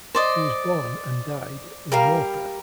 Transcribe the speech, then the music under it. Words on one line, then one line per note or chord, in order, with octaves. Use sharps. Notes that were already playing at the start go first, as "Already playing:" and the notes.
He was born, and died, in Morpeth.
C5 D5 D#5
G3 A#4 F5